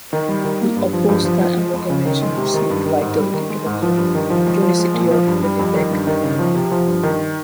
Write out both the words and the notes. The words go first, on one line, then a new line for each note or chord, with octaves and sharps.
He opposed the amalgamation of Saint Vital into the new "unicity" of Winnipeg.
D#3
G3
D#3
A#3
G2
F3
G2
F3
F3
G#3
F2
C#3
D#3
G#3
C3
D#3
G2
D#3
G#2
G3
D#3
G#3
G#2
F3
G2
D#3
F3
G#3
F3
G#3
A#2
F3
G2
G3
F2
D#3
G2
D#3
C#3
F3
C3
F3
G2
D#3